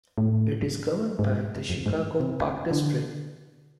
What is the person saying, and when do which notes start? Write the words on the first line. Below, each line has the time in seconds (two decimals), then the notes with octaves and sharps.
It is governed by the Chicago Park District.
0.18 A2
1.19 G#2
1.69 F2
1.86 G#2
2.20 C3
2.71 D3